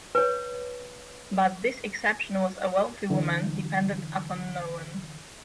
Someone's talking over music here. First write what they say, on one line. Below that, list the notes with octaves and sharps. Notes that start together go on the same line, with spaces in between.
But this exception is a wealthy woman, dependent upon no one.
B4 C#5
D3 E3